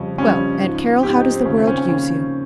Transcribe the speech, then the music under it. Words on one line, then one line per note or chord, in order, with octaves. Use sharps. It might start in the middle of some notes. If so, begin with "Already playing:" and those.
"Well, Aunt Carroll, how does the world use you?"
Already playing: F2 C#3 G3 C#4
F2 C#3 G3 C#4
G#2 F3
G#2 F3 G4
D#4
C4
D#2 C#3 F3 C#4
C4
C#4
C#4
D#2 C#3 F3 C#4